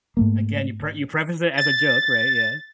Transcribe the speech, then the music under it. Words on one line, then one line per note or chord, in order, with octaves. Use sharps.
Again, you pre you preface it as a joke, right? Yeah.
G#2 A3 A#3
A6